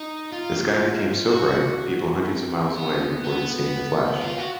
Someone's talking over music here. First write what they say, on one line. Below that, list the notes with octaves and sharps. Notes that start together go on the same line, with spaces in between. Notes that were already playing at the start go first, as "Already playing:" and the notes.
The sky became so bright, people hundreds of miles away reported seeing the flash.
Already playing: D#4
F4
F#4
C4
B3
B3
F4
F#4